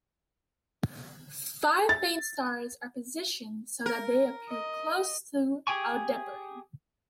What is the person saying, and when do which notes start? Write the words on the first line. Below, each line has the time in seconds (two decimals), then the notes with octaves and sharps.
Five faint stars are positioned so that they appear close to Aldebaran.
1.89 A6
3.86 A#4
4.49 D#5
5.67 G4 G#4 G5 G#5 C#6